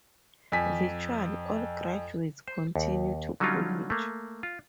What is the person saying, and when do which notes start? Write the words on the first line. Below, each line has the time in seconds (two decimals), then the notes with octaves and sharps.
Virtually all graduates continue to college.
0.52 F2 G#5 B6
2.48 C5
2.76 D#2
3.40 D3 F#3 G3 C#4 D#4 F4
3.90 A3 A#3
4.43 F4